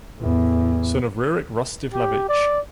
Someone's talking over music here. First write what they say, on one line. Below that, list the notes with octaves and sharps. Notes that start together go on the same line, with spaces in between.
Son of Rurik Rostislavich.
E2 A2
G4
D5